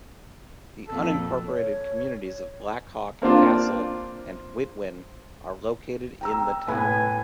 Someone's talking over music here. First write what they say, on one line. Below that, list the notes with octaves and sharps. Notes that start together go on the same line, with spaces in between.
The unincorporated communities of Black Hawk, Cassell, and Witwen are located in the town.
F2 A#2 A4
C#5
A#3 C4 D4 F4
G5 A#5 E6
A2 B4 G#5 B5